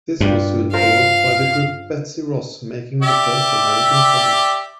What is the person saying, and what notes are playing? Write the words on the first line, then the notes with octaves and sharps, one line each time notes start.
This was soon followed by the group Betsy Ross Making the First American Flag.
G2 D4 F4 G4
F4 A#4 C5 F5
G4 D5 E5